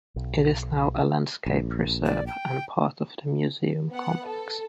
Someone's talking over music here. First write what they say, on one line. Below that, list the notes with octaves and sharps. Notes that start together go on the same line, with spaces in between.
It is now a landscape reserve and part of the museum complex.
B1
A#1
D5
G5
B3 F#5
A4